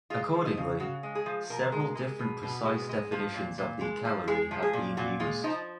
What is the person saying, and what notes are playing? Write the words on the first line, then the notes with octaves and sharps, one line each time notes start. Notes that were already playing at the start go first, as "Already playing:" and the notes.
Accordingly, several different precise definitions of the calorie have been used.
G#3 F4
F3
D#4
C#3
C#3 F#4
G#3
G#4
F3
B2 A#4
G#3
G#3
B2
B2
G#3
G#3
F3
A#2
A#2
G#3
F3
G#3 G#4
F3
G#4
A#2
A#2 F#4
G#3 F4
F3 D#4